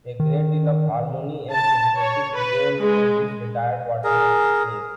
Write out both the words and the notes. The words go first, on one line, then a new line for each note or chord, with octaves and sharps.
A great deal of harmony and sociability prevails in this retired watering place.
D#3
A5
C#5
B4
G#3
G#4 A#4